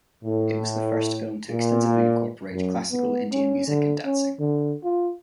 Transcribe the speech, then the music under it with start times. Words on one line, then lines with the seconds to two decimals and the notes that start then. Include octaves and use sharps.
It was the first film to extensively incorporate classical Indian music and dancing.
0.23 A2
1.48 A#2
2.54 F#2
2.92 B3
3.32 C#4
3.67 D3
4.05 C#4
4.40 D3
4.84 F4